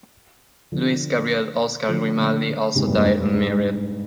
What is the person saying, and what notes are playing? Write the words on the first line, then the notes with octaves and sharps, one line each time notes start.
Louis-Gabriel-Oscar Grimaldi also died unmarried.
D3 F3
D3 F3
A#2 D3
G#2 C3
G2 A#2
G2 A#2
G#2
G2
G#2